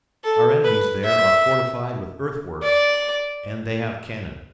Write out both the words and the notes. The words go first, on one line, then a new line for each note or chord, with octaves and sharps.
Our enemies there are fortified with earthworks and they have cannon.
A4
B4
E5
D5